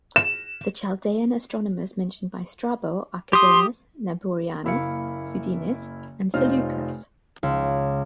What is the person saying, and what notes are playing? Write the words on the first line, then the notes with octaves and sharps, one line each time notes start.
The "Chaldaean" astronomers mentioned by Strabo are Kidenas, Naburianos, Sudines, and Seleukos.
E7
G4 C6 D#6
F#1 A#3 E4 E5 F5 C#7
F1 D#4 F4 C5 C#5 F6
C#2